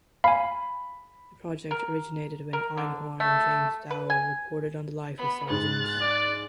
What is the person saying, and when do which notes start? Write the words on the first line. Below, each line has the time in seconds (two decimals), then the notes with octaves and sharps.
The project originated when Einhorn and James Dao reported on the life of Sgt.
0.24 F5 G#5 B5
1.71 A#4
2.53 A#4
2.77 D3
3.20 A3
3.91 B4
4.10 G#5
5.18 B3 B5
5.50 G#2 F#6 A6
6.01 D5